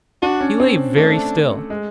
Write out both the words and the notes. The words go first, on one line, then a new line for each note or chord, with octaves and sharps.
He lay very still.
D4 F#4
C#4
C4
A3 D4
G#3